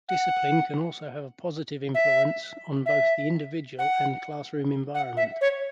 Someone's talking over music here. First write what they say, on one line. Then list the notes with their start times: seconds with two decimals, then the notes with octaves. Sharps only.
Discipline can also have a positive influence on both the individual and classroom environment.
0.09 F#5
1.95 E5
2.86 E5
3.79 F#5
4.95 F#5
5.17 E5
5.41 C#5